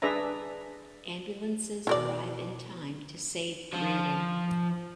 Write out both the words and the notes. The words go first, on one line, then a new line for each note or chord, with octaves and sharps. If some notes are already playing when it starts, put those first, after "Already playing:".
Ambulances arrive in time to save Reardon.
D4 G#4 B4 D5 E5 A#5
B2 E4 A#4 D5 D6
F3 F4